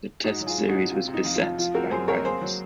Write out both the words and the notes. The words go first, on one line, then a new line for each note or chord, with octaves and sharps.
The test series was beset by violence.
G#2 D#4 F#4
F#3
F4 G#4
G#2
D#4 F#4
C#4
C3 F4
C3
D#4
F2
F4
F2
F3 F4
C4 F#4 A#4
F#2 G#4 C5
C4 A#4 C#5
A#3 G#4 C5
F#3